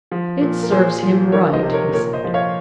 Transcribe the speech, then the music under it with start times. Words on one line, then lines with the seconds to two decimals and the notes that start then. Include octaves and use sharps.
"It serves him right," he said.
0.12 F3
0.41 A#2
0.63 A#4
0.72 A#2 G#4 C5
1.03 F3
1.32 D#3 A#4 C#5
1.53 C5 D#5
1.63 C3
1.73 A#4 C#5
1.93 A#2 A#4 C#5
2.13 C5 D#5
2.24 F3
2.34 C#5 F5